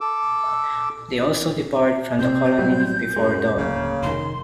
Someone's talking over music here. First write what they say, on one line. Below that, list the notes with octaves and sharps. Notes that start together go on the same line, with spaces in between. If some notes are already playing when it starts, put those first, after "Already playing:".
They also depart from the colony before dawn.
A4 D6 E6
C3 C4 G6
A2 F#3 G3
F#2 G#3
D1 C#3 A#3
F1 D#3 C6